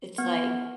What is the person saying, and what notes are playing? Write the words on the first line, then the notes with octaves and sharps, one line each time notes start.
it's like
B3